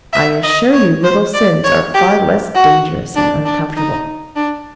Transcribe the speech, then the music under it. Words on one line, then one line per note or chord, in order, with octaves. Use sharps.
I assure you little sins are far less dangerous and uncomfortable.
E5
D#5
C#5
C5
D5
C#5
G4
F#4
D4
D4
D#4
D4